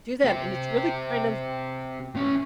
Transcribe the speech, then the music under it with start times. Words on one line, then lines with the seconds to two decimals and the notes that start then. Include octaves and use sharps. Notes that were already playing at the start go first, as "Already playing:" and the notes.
do that, and it's really kind of,
0.24 C4 G4
2.15 A2 C#4